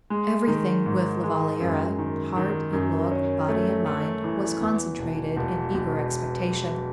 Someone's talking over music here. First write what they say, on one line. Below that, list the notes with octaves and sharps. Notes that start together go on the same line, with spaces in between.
Everything with La Valliere, heart and look, body and mind, was concentrated in eager expectation.
G#3
D#3
G#2
G#3
F#2
D#3
D#3
F#2
C#4
A3
A3
E3
E2
E1
E1
E1